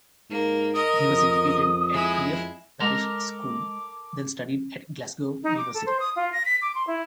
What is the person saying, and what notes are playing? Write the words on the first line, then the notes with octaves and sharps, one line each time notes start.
He was educated at Crieff Parish School then studied at Glasgow University.
G#2 A#3
A#4 D#5 D#6
F2
G#3 E4
G#3 A4 A#4 A#5 D6
D#4
D6
A4
C5
D#6
F4
A#6
B6
D6
C6
E4